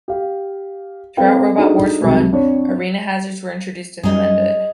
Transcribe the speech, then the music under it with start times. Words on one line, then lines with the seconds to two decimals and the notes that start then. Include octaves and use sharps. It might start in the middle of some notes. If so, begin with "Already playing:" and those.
Throughout Robot Wars' run, arena hazards were introduced and amended.
0.08 G4 F5
1.17 C4 A4 B4 F5 G5
1.57 A3 D4 D#4 F#4 G#4 A#4
2.01 C2 F2 D#3 F#3 G#3
2.32 F2 D4 C#5
4.03 F#2 G3 D#4 G#4